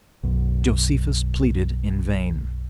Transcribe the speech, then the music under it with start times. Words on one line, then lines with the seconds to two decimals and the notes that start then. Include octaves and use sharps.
Josephus pleaded in vain.
0.23 B1 F#2